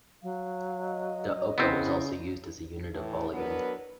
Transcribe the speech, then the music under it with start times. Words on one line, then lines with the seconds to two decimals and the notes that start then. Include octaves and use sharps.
The oka was also used as a unit of volume.
0.23 F#3 F5
0.82 D#5
1.58 C#3 B3 C4 E4
2.94 A2 E3
3.33 F#3 B3 D4 A#4 B4